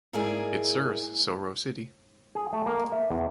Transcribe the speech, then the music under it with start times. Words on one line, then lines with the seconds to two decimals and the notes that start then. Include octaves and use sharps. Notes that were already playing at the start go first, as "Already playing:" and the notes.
It serves Soro city.
0.13 G#2 A#3 E4 G#4 D5 G#5
2.35 G#4
2.53 A3
2.66 A#3
2.92 E5
3.10 E2